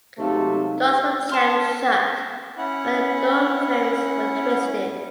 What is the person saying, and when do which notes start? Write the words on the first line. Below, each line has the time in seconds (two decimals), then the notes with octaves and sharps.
Doors were jammed shut when the door frames were twisted.
0.18 C3 F#3 G#3 A3 C4 D#4 F5
1.29 A5 C6 F6
2.57 C#4 E4 F#5